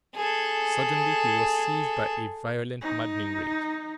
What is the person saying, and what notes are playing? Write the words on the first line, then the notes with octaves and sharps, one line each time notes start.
Suddenly he was seized by a violent, maddening rage.
G#4 A4
D#4